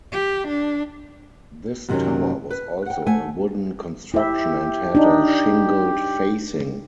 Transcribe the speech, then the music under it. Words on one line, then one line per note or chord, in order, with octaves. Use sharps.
This tower was also a wooden construction and had a shingled facing.
G4
D4
F#2 C3 D#3 E3 F#3 C#4
B4
F#5 G5
A3 F#5 G#5
E4 G4 E5
D4 D#4